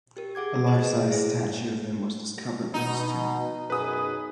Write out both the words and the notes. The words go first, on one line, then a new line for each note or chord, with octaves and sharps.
A life-sized statue of him was discovered in his tomb.
G4 A#4
G#4 F#5 D6 G#6
C5 D#5
G#4 B4
E4 G#4 C5
B2 D#4
F#2 B2 G#4 B4 D#6